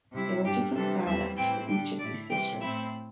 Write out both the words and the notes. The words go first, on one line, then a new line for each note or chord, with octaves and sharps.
There were different dialects for each of these districts.
C3 G3 E4
G2 G3 D4 G4
C3 E3 G3 D4 A4
E2 E3 G3 C4 E4 E5
A2 E3 C4 E4 G5
D3 G3 D4 G5
A2 A3 E4 D5
C3 E3 G3 G5
A2 A3 C4 E4 E5